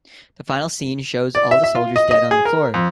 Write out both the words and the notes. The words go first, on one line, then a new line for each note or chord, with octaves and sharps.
The final scene shows all the soldiers dead on the floor.
D5
E5
E5
F4
D#5
D#5
G#4
A#4
F2